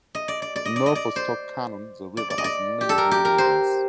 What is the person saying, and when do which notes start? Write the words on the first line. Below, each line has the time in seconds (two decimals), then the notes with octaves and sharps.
North of Stoke Canon the river has many meanders.
0.15 D#5
0.28 D5
0.42 D5
0.56 D5
0.65 D#5
0.76 D5
0.86 D#5
0.95 D5
1.16 C5
2.17 D5
2.30 D5
2.38 D#5
2.44 D5
2.81 G4
2.89 A4
2.98 A#4
3.11 G4
3.25 A#4
3.38 C5